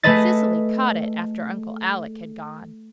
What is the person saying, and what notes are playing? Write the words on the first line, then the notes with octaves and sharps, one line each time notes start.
Cecily "caught it" after Uncle Alec had gone.
A3 G#4 A4 B4 D#5 A6